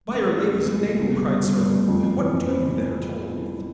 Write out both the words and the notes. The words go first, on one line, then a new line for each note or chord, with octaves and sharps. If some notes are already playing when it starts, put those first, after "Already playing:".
'By'r Lady's name!' cried Sir Owen, 'what do you there, tall youth?'
A1
B3
A2
C2
C2
C3
G1
G1
G2
G1
A3
G2
F2
F2
E3
F2
C4